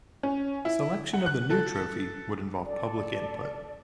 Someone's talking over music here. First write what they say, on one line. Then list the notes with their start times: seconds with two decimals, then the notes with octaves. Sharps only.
Selection of the new trophy would involve public input.
0.23 C#4
0.65 E4
1.14 F#5
1.26 F#6
1.50 A4
2.65 A4 D5